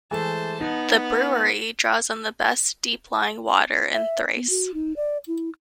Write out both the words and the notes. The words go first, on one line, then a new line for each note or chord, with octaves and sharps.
The brewery draws on the best deep-lying water in Thrace.
E3 G#3 A3 C5 A5
B3 D#4
E5
B3
F#4
D#4
D5
E4